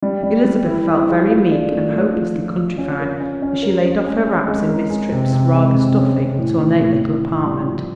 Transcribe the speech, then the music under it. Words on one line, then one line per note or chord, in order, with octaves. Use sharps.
Elizabeth felt very meek and hopelessly countrified as she laid off her wraps in Miss Tripp's rather stuffy but ornate little apartment.
G3
G3
G3
E4
E4
G#4
F4
D4
A3
A3
F3
F3
F4
C#4
A#4
C#4
C#4
A#4
C#4
G#3
G#3
G#3
A#4
G#3
C3
C3
G#3
C3
C#4
C3
A2
A2
A2
A2
A2
G3
F3